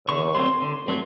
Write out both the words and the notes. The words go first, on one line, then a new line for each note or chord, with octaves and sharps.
Uh, like
D3 C#6
F#3 A3 C4 C6
D3
F#3 A3 C4